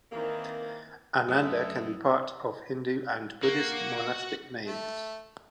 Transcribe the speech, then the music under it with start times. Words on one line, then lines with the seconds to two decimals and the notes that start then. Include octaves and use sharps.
Ananda can be part of Hindu and Buddhist monastic names.
0.12 D#3 E3 A#3 C4
1.28 F#2 A3 A4 E5 D#6 E6
3.43 A#3 F#4
4.65 A3